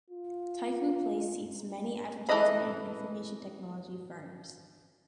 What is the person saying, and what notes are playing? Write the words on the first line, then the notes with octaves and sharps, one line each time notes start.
Taikoo Place seats many advertisement and information technology firms.
F4
E3 A4 B4 D#5 B5